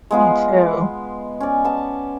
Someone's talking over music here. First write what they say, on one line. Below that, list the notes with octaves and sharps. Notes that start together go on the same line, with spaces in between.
Me too.
G#3 B3 F4
C#4 D5
B3 A5